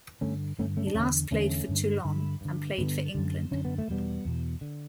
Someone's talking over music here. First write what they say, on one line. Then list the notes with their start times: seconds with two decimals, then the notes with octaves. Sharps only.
He last played for Toulon and played for England.
0.21 G2 D3 A3 C#4
0.59 G2 D3 A3 C#4
0.77 A3 C#4
0.87 D4
0.95 E2 D3 A3 C#4
1.31 E2 D3 A3 C#4
1.69 G2 D3
2.05 G2 D3
2.41 G2 D3
2.78 G2 D3 G3 B3
3.15 F#2 D3
3.51 F#2 D3 C#4
3.65 B3
3.78 A3
3.88 E2 B2 G3 B3
4.25 E2 B2
4.61 D3